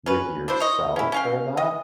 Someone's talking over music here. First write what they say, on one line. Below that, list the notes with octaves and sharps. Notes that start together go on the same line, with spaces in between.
with yourself for that
C#4 B4
D4 E4 C5
C#5 D#5
C#4 E4
C#4 F5 G5
D#5